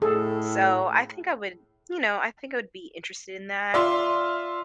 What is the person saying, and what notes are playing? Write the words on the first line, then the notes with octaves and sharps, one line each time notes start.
so I think I would you know, I think I would be interested in that,
A2 G#4 A4
F4 D5 E5 C6